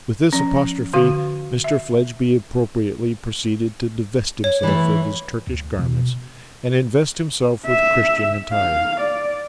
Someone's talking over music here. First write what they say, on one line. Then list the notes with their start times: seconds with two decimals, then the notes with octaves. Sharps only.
With this apostrophe Mr Fledgeby appropriately proceeded to divest himself of his Turkish garments, and invest himself with Christian attire.
0.33 F3 C#4
0.93 D3 F#4 F5
1.64 E5
4.44 C#5
4.63 E3 A3
5.47 D2
5.79 B2
7.66 E5
8.52 F5
9.00 D5